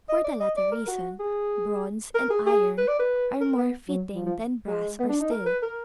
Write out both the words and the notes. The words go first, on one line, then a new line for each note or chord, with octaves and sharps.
For the latter reason, bronze and iron are more fitting than brass or steel.
D#5
D5
D#5
D5
A#4
F#4
G#4
A#4
G#4
G#4
B4
D5
B4
A#4
B3
F#3
F3
F3
G#3
B3
D4
D#4
A#4
B4
A#4